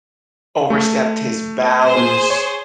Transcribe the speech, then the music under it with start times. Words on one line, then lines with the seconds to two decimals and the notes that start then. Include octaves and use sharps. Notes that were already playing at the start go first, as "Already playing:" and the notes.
overstepped his bounds
0.70 A3
1.83 G#4 C5
2.30 C#5